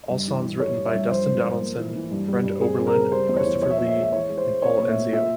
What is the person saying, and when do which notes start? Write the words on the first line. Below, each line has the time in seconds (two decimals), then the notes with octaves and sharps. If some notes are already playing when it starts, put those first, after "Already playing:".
All songs written by Dustin Donaldson, Brent Oberlin, Christopher Lee, and Paul Enzio.
0.10 G2
0.27 E3
0.43 E3
0.60 G3 C#5
0.77 G2
0.85 E5
0.94 G2
1.11 F3 C5
1.27 G#2
1.44 F3
1.60 A#3
1.78 E3
1.95 E3
2.11 G2
2.28 G3
2.44 G2
2.61 C4 G#4
2.78 C4
2.87 A#4
2.95 C#3
3.12 G3 C5
3.29 E2
3.37 C#5
3.45 E3
3.62 F3 C#5
3.71 E5
3.78 A#2 C#5
3.88 E5
3.96 G#3
4.03 E5
4.12 E3 C#5
4.29 G#3
4.37 C5
4.46 G#3
4.62 C4 C#5
4.79 A#2
4.88 E5
4.96 A#2
5.13 F4 E5